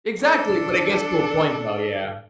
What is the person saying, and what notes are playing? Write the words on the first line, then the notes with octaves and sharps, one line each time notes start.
Exactly, but it gets to a point though, yeah.
D4 A4